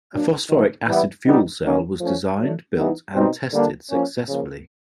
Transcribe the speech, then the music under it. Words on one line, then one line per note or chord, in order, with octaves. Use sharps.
A phosphoric acid fuel cell was designed, built, and tested successfully.
F#3 A#3 D4
D#3 F#3 A3
E3 G3 B3 E4
B2 G3 B3 D#4
D#3 F#3 A#3 C#4
F3 A3 C#4
F#3 A3 D4
E3 G3 B3 D#4
B2 G3 C4 D#4
D3 G3 A#3 D4
F3 A#3 C#4
C#3 F3 A#3